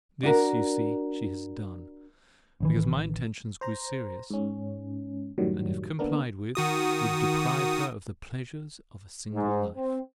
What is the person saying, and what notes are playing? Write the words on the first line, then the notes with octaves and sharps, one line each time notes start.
This, you see, she has done, because my intentions grew serious, and if complied with, would deprive her of THE PLEASURES OF A SINGLE LIFE!
D4 F#4 A#4
A1 D#3 E3
C5 A#5
G#2 C#4
F#2 A2 D#3 F#3 G3
D3 A#3 B3 D4 A#4
D#3 F#4 D#6
G#2
C4